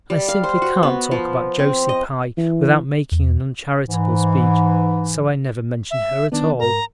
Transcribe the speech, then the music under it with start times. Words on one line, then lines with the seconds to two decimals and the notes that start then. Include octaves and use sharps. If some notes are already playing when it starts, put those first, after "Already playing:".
I simply can't talk about Josie Pye without making an uncharitable speech, so I never mention her at all.
0.10 G3
0.28 F5
0.44 C5
0.62 F#4
0.83 B3
1.11 F3
1.59 C4
1.89 D#5
2.38 E3
3.12 E2
3.88 G#2 E3
5.91 E5
6.32 D#3 B3 D4
6.60 G#2 A#4 A#5